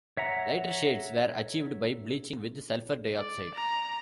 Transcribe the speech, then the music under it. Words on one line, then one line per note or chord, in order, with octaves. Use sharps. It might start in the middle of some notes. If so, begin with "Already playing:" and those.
Lighter shades were achieved by bleaching with sulphur dioxide.
C#5 E5 F#5 A#5
D5
A#5